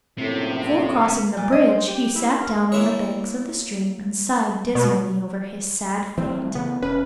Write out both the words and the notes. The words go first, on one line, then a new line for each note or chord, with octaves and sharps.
Before crossing the bridge he sat down on the banks of the stream and sighed dismally over his sad fate.
A#1 F#2 A2 C3
A#2
D#5
C5
G4
E4
A#4
A#3 E4 C#5
B2
E3 G3 A3 C4
C#3 E3 B3
E1 C#4 B4